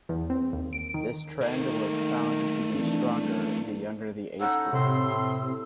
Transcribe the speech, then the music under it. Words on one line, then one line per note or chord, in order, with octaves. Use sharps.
This trend was found to be stronger the younger the age group.
E2
C4
D#2
D7
D#3
D#3 A3 A#3
E3 C4 D4
A2 C#4 D#4 F#5 E6
A2 C3 C6